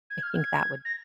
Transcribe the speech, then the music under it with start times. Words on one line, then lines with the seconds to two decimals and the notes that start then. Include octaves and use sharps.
I think that would
0.10 G#6
0.22 F6
0.35 G#6
0.85 A#6